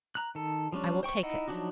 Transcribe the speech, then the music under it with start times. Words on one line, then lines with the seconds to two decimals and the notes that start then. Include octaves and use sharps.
"I will take it."
0.15 A#5 F#6
0.35 D#3 A4
0.72 F3 G3 C#4 D4
1.03 C5 G5 C#6
1.23 D#4 E4 D#5 F#5
1.48 F3 F#3 D4 D#4 F#4